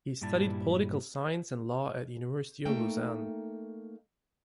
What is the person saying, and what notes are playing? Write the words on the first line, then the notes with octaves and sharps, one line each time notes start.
He studied political science and law at the University of Lausanne.
G2 A#2 G3 E4 A5
A3 A#3 D#4 A4 G5